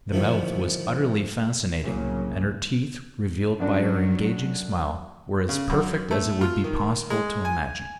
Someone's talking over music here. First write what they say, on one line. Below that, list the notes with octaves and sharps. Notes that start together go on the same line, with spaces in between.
The mouth was utterly fascinating, and her teeth, revealed by her engaging smile, were as perfect as it would be possible to imagine.
A2 D3 D#3 F3 G3 C#4
C2 A2 C#3 F#3 A#3
F#2 F#3 D4
C#3
F#2
A3
F4
D#3
G#3
G#5